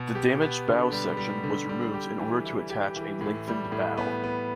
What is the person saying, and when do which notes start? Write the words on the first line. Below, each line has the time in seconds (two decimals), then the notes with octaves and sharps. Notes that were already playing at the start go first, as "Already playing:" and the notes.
The damaged bow section was removed in order to attach a lengthened bow.
Already playing: B2
0.15 G4
0.42 B3
0.67 D3
0.92 G3
1.17 G3
1.44 D3
1.69 G3
1.94 G4
2.19 E3
2.45 E4
2.70 G4
2.96 E3
3.21 A2
3.48 G3
3.72 A2
3.97 B3
4.24 B3